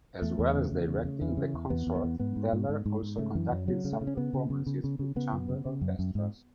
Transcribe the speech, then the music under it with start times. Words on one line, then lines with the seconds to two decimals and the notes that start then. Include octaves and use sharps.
As well as directing the Consort, Deller also conducted some performances with chamber orchestras.
0.22 E2 A3
0.39 E2
0.55 C#3
0.71 E2
0.88 C#3
1.05 C#3
1.21 E2 E3
1.37 C#3
1.54 E2
1.70 E2 B3
1.87 E2
1.95 B3
2.04 E2
2.20 G#2 B3
2.36 G#2
2.53 G#2
2.69 G#2
2.86 G#2
3.02 G#2
3.18 C#3 A3
3.35 F#2 E3
3.51 F#2 F#3
3.68 C#3 F#3
3.85 C#3
3.92 A3
4.01 C#3
4.07 C#4
4.17 C#3 B3
4.33 C#3
4.50 C#3
4.67 C#3
4.84 C#3
4.99 C#3
5.16 C#3 B3
5.33 F#2
5.49 C#3
5.65 C#3
5.81 F#2
5.99 F#2
6.15 G#2